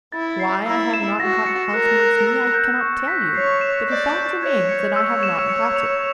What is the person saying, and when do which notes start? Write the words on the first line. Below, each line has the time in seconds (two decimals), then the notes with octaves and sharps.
Why I have not got housemaid's knee, I cannot tell you; but the fact remains that I have not got it.
0.12 E4 A6
0.40 C7
0.66 E4 E6
0.94 E7
1.20 F#4 A#6
1.46 C#7
1.74 A#4 F#6
2.00 F#6
2.27 E6
2.54 G6
2.81 C#6
3.08 B6
3.34 C#5 C7
3.61 E7
3.88 D5 G6
4.15 G6
4.42 C#5 G#6
4.69 C#7
4.95 C#5 E6
5.23 E7
5.49 C#7
5.76 F7